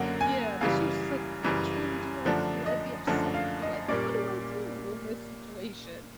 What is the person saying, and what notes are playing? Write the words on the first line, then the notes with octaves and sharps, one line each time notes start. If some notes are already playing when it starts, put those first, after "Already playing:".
Yeah, but she was just like, "Which one do I do I be upset? Do I what do I do in this situation?"
Already playing: F#2 D3 F#3 A#3 F#5
G#5
F#2 C#3 E3 G3 F5
F#2 C#3 E3 G3
F#2 D3 F3 A3 D4
D#5
F#2 D3 F3 A3 D4
F5
D#5
A#2 G3 A#3 C#4 D5